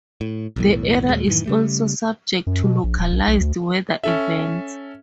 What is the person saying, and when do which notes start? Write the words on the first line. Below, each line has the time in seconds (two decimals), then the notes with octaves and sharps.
The area is also subject to localized weather events.
0.21 A2
0.56 B1 E2 A2
1.09 D#2 A#2 G#3
1.27 F#2 A2 D#3 E3
1.46 C#3 G3 A3
2.47 F#2
2.64 B2
2.84 A#1
2.98 D#1
3.12 B1
3.27 B1
3.40 D2
4.04 C#4 A4 E5